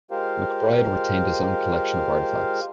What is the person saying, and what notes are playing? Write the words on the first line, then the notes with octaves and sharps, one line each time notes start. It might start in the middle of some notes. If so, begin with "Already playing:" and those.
McBride retained his own collection of artifacts.
G#3 F4 G4 A#4 C5 F5